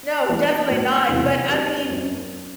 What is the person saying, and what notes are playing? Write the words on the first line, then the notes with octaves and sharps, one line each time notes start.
No, definitely not, but, I mean,
E3 B3 E4 B4
A2 F#3 B3 F#4 B4
E2 C3 F#3 C4 E4
F#3 C4 G4 B4
F#2 F#3 C4